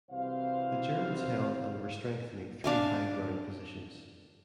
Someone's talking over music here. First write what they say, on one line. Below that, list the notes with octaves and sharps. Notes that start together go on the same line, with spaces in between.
The Germans held and were strengthening three high-ground positions.
C2 C3 E3 F#4 C5 F5
D4 F5 G#5